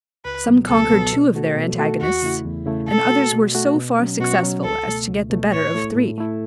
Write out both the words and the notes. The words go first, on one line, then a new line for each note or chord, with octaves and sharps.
Some conquer'd two of their Antagonists, and others were so far successful as to get the better of three.
C#2 B4
B2 F#3 B3
C#2 A4
B2 F#3 B3
B2
A3 F#4 A4
B2
A3 F#4 A4
E2 F#4
C#3 A3 E4
E2
C#3 A3 E4
B2 A4
A3 F#4
B2
A3 F#4
B2
F#3 C#4
B2 F#4
F#3 C#4
C#2 A4
B2 A3
C#2
B2 A3
A2 C#5
A3 E4 A4
A2
A3 E4 A4